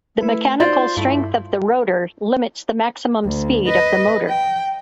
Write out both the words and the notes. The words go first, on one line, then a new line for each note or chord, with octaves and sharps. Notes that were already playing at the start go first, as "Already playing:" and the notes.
The mechanical strength of the rotor limits the maximum speed of the motor.
A3 E4 B4
D#4 F4 F#4 C5 D5
G2 A3 E4
D2
B4 D#5
G5